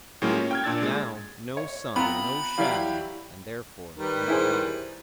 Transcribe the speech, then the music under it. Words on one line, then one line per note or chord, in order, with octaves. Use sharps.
Now, no sun no shadow, and therefore no guide.
A2 F#3 G#3 A#3 C#4 F4
C#4
G5 F6 G#6
A#2 D4 E6 A6
G#3
C#5
C3 B3 F4 G5 A#5 B5
E3 F#3 G3 E4 G4 F5
D#3 G3 B4
E4 G#4 C5